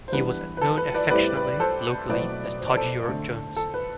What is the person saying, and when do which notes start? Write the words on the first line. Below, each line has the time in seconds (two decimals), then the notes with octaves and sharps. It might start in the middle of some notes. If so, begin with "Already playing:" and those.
He was known affectionately locally as 'Todger' Jones.
0.08 C5
0.12 E3 G3 B3 D4 B4
0.57 B4
0.62 A4
0.78 B4
0.94 B4 D5
1.10 A2 G3 C4 E4 B4 D5
1.36 B4
1.60 A4 C5
2.09 B2 F#3 A3 C4 E4 B4 D5
2.59 C5
2.67 D5
2.77 A4 C5
3.08 D3 A3 C4
3.56 A4
3.74 B4